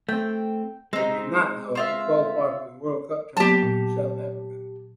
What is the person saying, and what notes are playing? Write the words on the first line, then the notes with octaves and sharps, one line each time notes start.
They did not, however, qualify for the World Cup tournament in South Africa.
A3 C4 G5
G#3 C4 D#4
C4 F4 E5
F#3 A#3 B3 G4 A5
A#2